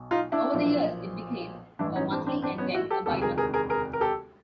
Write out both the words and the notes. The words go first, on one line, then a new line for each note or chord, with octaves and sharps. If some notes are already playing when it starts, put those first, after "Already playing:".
Over the years it became a monthly and then a bi-monthly.
Already playing: B1 B2
D#4 F4
D4 E4
B1 A#2 F3
A1 G2 E3 D4 E4
C#4 D#4
C4 D4
C4 D4
C4 D4
B3 C#4
E4 F#4
G4 A4
E1 D2 C3 D#3 G4 A4
G#4 A#4
G#4 A#4
G#4 A#4
G#4 A#4
A#4
G4 A4